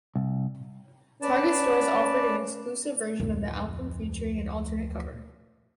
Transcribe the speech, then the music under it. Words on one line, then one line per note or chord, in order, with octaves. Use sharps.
Target stores offered an exclusive version of the album featuring an alternate cover.
C2
C#4 B4 D5 A5
D1 F2